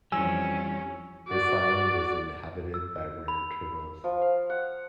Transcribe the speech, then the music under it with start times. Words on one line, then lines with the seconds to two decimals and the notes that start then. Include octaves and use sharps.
This island is inhabited by rare turtles.
0.12 F2 E3 G3 C#4 G#5 E6
1.29 F#4 D5
2.74 E6
3.28 B5
4.04 F3
4.22 F5
4.50 F#5